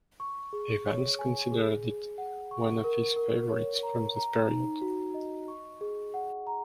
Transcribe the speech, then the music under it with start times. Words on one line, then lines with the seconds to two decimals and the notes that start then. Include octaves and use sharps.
Evans considered it one of his favorites from this period.
0.20 C#6
0.53 G#4
0.86 C#5
1.19 G#5
1.52 G#4
1.85 G#4
2.18 F#5
2.51 C#6
2.84 A#4
3.16 A#4
3.50 C#5
3.83 A#5
4.16 A#5
4.49 D#4
4.82 F#4
5.14 D#5
5.48 C#6
5.81 G#4
6.14 F#5
6.47 A#5